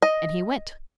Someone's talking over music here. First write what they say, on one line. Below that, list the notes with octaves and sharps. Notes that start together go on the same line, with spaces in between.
And he went.
D#5